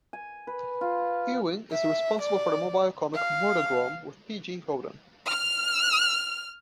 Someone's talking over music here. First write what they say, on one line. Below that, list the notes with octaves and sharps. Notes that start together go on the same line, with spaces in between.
Ewing is responsible for the mobile comic "Murderdrome" with P. J. Holden.
G#5
B4
F4
E5
D5
F5
F6